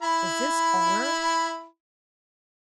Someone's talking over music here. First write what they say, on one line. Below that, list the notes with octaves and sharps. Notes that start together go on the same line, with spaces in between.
Was this honor?
E4 B5